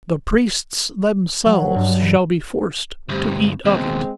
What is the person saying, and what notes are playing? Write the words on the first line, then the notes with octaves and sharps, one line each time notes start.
The Priests themselves shall be forced to eat of it.
F#3
G2
E3
D2 G2 C3
D#2 B2 G#3 C4